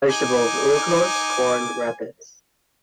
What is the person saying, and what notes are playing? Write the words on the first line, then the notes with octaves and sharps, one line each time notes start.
Vegetables: Ullucos, corn wrappes.
D#4 G#5 D6